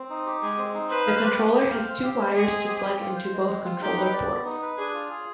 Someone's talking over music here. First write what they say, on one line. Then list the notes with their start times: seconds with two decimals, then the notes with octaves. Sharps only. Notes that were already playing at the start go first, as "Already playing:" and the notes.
The controller has two wires to plug into both controller ports.
Already playing: C4
0.10 D#4
0.26 G4
0.42 G#3 G#4
0.58 C4
0.74 D#4
0.90 B4 C5
1.07 F5
1.22 G4
1.39 G4
1.55 C5
1.71 F5
1.87 C4
2.03 G4
2.20 G#3
2.35 G#3 G#4
2.52 C4
2.68 G4
2.84 C4
3.00 F4
3.16 C5
3.33 G#3
3.49 C4
3.65 F4
3.80 D#4 G4
3.97 B4
4.13 D5
4.30 B3
4.45 D#4
4.62 B4
4.78 D4 G#4
4.94 F4
5.10 G#4